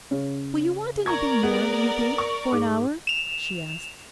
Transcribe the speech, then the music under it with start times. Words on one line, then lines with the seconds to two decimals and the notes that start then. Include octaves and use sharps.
'Will you want anything more, do you think, for an hour?' she asked.
0.11 C#3 C#4
1.06 A#4 D5 A#5 C#6 G#6
1.43 B3 G#4
2.18 C#6
2.52 G#2 D6
3.07 E7 F7